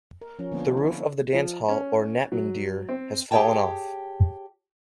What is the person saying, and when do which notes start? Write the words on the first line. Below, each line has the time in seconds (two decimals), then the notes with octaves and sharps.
The roof of the dance hall or "natmandir" has fallen off.
0.21 A#4
0.39 F3 C#4
0.52 D3 F3 A#3 B3 D4
0.77 E4
1.34 F3
1.68 C#4
2.32 F#3
2.89 C4
3.31 G4 G#4 A#4 C#5 G5 A5